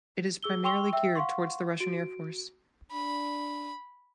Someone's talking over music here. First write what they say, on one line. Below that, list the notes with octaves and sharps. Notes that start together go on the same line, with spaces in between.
It is primarily geared towards the Russian Air Force.
G#4 E6 G7
G5 C6 C#6 E6 F7 G7
E5 G5 E6
F5 F#5 C6 C#6
F#4 D7
D4 B5